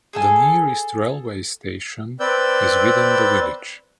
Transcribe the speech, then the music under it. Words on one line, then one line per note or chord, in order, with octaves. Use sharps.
The nearest railway station is within the village.
G#4 A4 G#5
C4 B4 D5 E6 G6